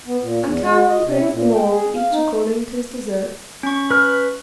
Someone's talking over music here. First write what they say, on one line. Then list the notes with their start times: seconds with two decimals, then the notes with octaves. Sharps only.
And Cheiron praised them all, each according to his deserts.
0.07 B3
0.22 A#2
0.42 E2
0.62 G#3
0.89 D#5
1.03 C3
1.20 E4
1.32 A#2
1.55 G5
1.70 G#4
1.96 F5
2.12 D#4
3.63 C#4 C#6
3.91 B4 F6